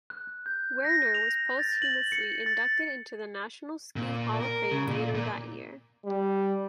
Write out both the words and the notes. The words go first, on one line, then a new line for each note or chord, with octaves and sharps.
Werner was posthumously inducted into the National Ski Hall of Fame later that year.
F#6
G6
A#6
F7
A6
F#7
C#7
A6
A#2
A#4
C#3
A#2
A#2
G3